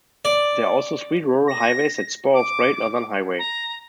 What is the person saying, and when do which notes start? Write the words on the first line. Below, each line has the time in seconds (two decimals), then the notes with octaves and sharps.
There are also three rural highways that spur off Great Northern Highway.
0.25 D5
1.48 A#6
2.34 D6
3.39 A#5